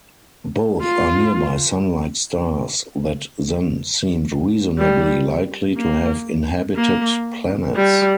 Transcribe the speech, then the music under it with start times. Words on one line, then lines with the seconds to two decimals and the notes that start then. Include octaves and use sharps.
Both are nearby Sun-like stars that then seemed reasonably likely to have inhabited planets.
0.81 F4
4.78 G3
5.77 A#3
6.76 A#3
7.75 G3